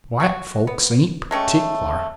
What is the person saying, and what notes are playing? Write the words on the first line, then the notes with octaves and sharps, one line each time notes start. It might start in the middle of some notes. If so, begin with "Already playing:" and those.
White folks ain't partic'lar.
F#4
B3
G#3 A3 C#4 G4